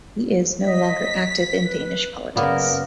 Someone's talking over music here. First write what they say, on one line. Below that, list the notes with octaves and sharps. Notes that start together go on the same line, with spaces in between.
He is no longer active in Danish politics.
D#5 B6
B4
F#2 C#3 A#3 B3 A#4 D5